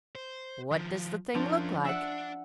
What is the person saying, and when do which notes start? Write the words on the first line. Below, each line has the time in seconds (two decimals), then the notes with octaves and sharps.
"What does the thing look like?"
0.15 C5
0.72 D#3 F3
1.35 F3 C#4 D4 A#4
1.85 D4 E5 F#5